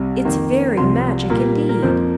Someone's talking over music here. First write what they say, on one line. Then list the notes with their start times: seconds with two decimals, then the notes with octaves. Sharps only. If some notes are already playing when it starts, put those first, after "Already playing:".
It's very magic indeed.
Already playing: C2 C3 G3
0.25 F2 D#3 A#3
0.77 C2 C3 F3 C6
1.30 A#2 G3 A#3
1.69 A#4
1.82 F2 F3 A#3 C5